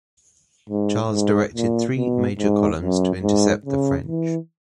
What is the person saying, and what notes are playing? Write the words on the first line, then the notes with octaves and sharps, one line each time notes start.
Charles directed three major columns to intercept the French.
G#2
G#2
A#2
B2
G#2
F#2
G#2
C#3
E3